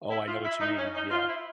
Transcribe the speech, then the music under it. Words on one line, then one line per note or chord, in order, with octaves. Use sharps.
Oh, I know what you mean. Yeah,
E4
F4
E4
D#4
C#4
D#4
F4
E4